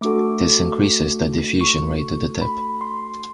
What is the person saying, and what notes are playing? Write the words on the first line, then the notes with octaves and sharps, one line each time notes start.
This increases the diffusion rate to the tip.
A3 D4 F#4 A4 D6
C#6
B5
C6